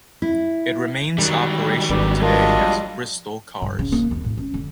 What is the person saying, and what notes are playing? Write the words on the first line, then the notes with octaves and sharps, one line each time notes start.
It remains operational today as Bristol Cars.
E4
D#3 F#3 G3
G#1 D4 G4 B4
D4 F4 A#4 D#5
G2
C#3
A#3
E2
A2
C#4
D3